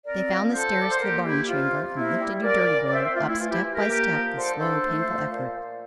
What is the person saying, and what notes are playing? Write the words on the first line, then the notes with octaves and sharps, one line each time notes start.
They found the stairs to the barn chamber, and lifted You Dirty Boy up step by step with slow, painful effort.
C4 A#4 D5
F3
D3 A4 C5
D3
D5
C5
A#3 G4 A#4
G3 E4 G4
C3 F4
C3
A#3 E4
G3
A#2 A#4 D5
A#2
D5
C4 C5 E5
C5 E5
A3 F4
E4
E3 F4
E4 G4
E3
G4 A#4
A#3 G4 A#4
F3
D3 A4 C5
D4 A4 C5
A3
F3
A#2
A#2